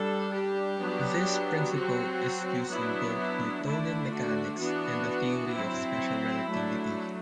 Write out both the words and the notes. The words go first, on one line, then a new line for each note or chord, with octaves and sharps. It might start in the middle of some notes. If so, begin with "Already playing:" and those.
This principle is used in both Newtonian mechanics and the theory of special relativity.
Already playing: G3 D4 A4
G4
F#3 B3 D4
F#3 C4 F#4
F#3 B3 D4 E4
E4
D3 A3 D4 E4
F#4
E3 B3 D4 F#4
C4 E4
F#3
F#3 A3 D4